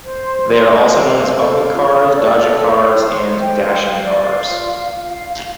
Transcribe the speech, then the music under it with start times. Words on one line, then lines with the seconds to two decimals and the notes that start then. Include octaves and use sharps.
They are also known as bumping cars, dodging cars and dashing cars.
0.04 C5
0.25 C6
0.46 C6
0.67 C5
0.88 F5
1.10 C5
1.30 A4
1.51 F5
1.73 F4
1.93 A4
2.14 D5
2.35 A4
2.57 C5
2.77 C5
2.99 C6
3.19 C5
3.41 G5
3.61 C5
3.82 F5
4.03 D5
4.24 F5
4.46 F4
4.66 F5
4.88 F5
5.09 F5
5.29 F5